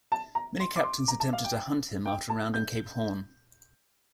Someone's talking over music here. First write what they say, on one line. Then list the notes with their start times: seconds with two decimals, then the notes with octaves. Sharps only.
Many captains attempted to hunt him after rounding Cape Horn.
0.12 A5
0.35 A#5
0.60 C6
0.76 D6
0.84 C6
1.08 A#5
1.20 A5
1.33 F5
1.44 G5
2.06 G5
2.30 A5
2.54 G6